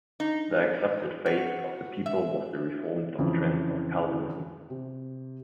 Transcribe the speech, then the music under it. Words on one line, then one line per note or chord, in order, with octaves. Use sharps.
The accepted faith of the people was the Reformed doctrine of Calvinism.
D#4
F#4
E5
F2 C#3 E3
C3